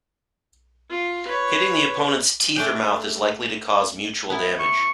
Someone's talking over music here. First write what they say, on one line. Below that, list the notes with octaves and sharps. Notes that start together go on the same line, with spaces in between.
Hitting the opponent's teeth or mouth is likely to cause mutual damage.
F4
B4 C#5
A3 D4 G5
B3 E4
C#6